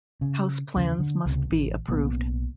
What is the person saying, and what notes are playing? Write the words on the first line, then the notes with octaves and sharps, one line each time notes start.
House plans must be approved.
C#3
D#2 C#3
D3
C#2 C3
A1
B1 A2 A#3 B3